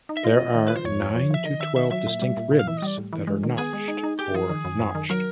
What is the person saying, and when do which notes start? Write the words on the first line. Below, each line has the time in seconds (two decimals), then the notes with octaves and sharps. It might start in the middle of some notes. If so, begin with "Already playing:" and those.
There are nine to twelve distinct ribs that are notched or notched.
0.09 D#4
0.17 E5
0.24 F4 D#5
0.39 C4
0.55 D#3
0.68 F4 B4
0.76 C5
0.84 F2 C#5
1.00 F2
1.15 F3
1.30 F3 E5
1.45 D#3 D#5
1.60 D#3 E5
1.76 D#3 E5
1.91 F#3 E5
2.06 A#2
2.22 G3
2.37 A#2
2.51 A#2
2.59 F5
2.67 E3 E5
2.77 D#5
2.82 G3 D5
2.98 A2
3.13 E3
3.27 G#3
3.43 D#3
3.58 B3 G#4
3.73 G#3
3.88 D#4
4.03 D#4
4.19 G4 G#4
4.35 F3 G#4
4.49 D#3
4.64 F#2
4.80 F#2
4.95 D#3
5.10 F#3 A#4